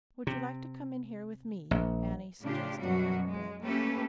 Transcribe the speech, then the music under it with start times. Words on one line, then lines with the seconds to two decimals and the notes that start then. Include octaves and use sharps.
"Would you like to come in here with me?" Annie suggested from her bed.
0.27 C3
1.71 A#1
2.42 A2 C#3 D4 F4 G4
2.78 F#2 B2 F#3 G3 F#4
3.27 G#3
3.64 A3 A#3 C#4 G4 A4 B4